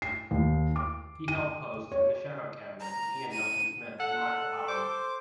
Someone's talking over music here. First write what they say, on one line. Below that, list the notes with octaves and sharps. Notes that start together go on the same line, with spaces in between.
He held posts in the shadow cabinets of Iain Duncan Smith and Michael Howard.
C7
D#2
D6
D#7
C#5
A#5
D#7
A4 F#5
C5 D6